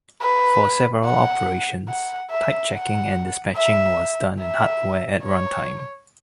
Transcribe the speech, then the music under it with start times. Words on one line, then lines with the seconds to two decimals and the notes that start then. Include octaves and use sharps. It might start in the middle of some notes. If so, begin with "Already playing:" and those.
For several operations, type checking and dispatching was done in hardware at runtime.
0.22 B4
1.05 F#5
1.89 F#5
2.31 E5
2.73 F#5
3.56 E5
4.40 E5
5.24 C#5